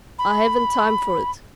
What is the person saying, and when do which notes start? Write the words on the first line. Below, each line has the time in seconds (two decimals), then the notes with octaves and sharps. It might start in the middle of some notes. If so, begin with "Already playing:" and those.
I haven't time for it.
0.19 B5